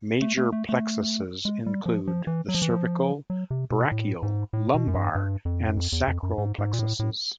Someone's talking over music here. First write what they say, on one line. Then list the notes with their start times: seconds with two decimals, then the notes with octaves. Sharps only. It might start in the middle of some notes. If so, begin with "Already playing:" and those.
Major plexuses include the cervical, brachial, lumbar, and sacral plexuses.
0.22 A3
0.37 A3
0.52 A3
0.69 A3
1.45 G#3
1.66 G3
1.86 F3
2.07 F3
2.27 E3
2.48 F#3
2.55 F3
2.62 E3
2.70 F3
3.30 F#3
3.50 C3
3.71 B2
3.92 A2
4.23 G#2
4.53 A2
4.74 B2
4.88 F#2
4.95 G2
5.15 G2
5.45 F2
5.68 F#2
5.77 F2
5.92 E2
6.07 F2
6.23 F#2
6.38 G#2
6.58 G#2
6.73 A#2
6.79 A2
6.99 A2